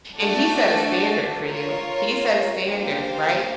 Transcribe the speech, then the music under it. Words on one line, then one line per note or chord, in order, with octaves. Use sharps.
And he set a standard for you. He set a standard, right?
A3 D4 F#4 A4 D5
F4 A#4 C#5
A#3 D4 G4 C5 F5